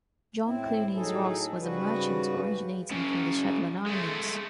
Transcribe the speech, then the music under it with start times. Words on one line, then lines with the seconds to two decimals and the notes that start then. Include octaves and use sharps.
John Clunies-Ross was a merchant originating from the Shetland Islands.
0.43 A2 C4 E4
0.94 A2 F#3 D#4 G#4 A4
1.60 G#2 C#3 G3 F#4 B4
2.91 F#2 C#3
3.87 G#3 A3